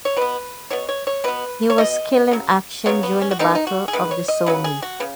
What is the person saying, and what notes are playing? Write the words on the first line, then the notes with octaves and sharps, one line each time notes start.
He was killed in action during the Battle of the Somme.
C#5
B2 B3 B4
B2 B3 C#5
C#5
C#5
B2 B3 B4
C#5
B2 B3 D#5
C#3 F#3
C#3 F#3 B3 C#5
B3
C#4
F#4
D#3 G#3 B3 D#4
D#4
F#4
G#4
D#3 G#3 B3 B4
C#5
D#5
C#3 F#3 B3 B4
G#4
F#4
C#3 B3